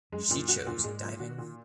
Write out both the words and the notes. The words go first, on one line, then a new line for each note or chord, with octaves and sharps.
She chose diving.
F#2 G#3
F#2 A#2
F#4
A#2
F#2
G#2 G#3
A#2
D#3 F#4
A#2